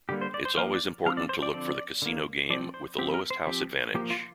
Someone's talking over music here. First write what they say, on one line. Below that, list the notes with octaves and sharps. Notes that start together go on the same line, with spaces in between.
It's always important to look for the casino game with the lowest house advantage.
D3 G3 A#3 G4
C5
D5
C5
F3 A#3 F5
D5
F3 C4 F5
D5
C5
D5
D3 F3 C4 D5
D3 A#3
F3 C4 D5
C5
F3 C4 G4
A#4
C5
F3 C4 G4
F3 A#3 G4
F4